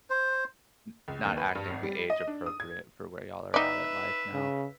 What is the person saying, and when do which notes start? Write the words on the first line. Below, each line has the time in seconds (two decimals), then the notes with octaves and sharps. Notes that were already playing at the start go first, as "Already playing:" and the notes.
N not acting age appropriate for where y'all are at in life now.
0.10 C5
1.08 C#2
1.25 D#2
1.37 B4
1.55 G2
1.70 G#1
1.83 G3
2.10 D#5
2.27 D4
2.46 D#6
2.60 G#6
3.54 D#4 B4 D5 E5
4.34 C#3